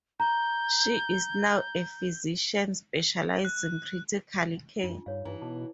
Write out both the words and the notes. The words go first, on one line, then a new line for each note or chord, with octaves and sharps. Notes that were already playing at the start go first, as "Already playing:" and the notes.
She is now a physician specializing critical care.
A#5 G6
F#6
F#2 D4 D#4 F4
G2 D#4 C#5 F5
G2 E3 D#4 A#5
B2 A5 D6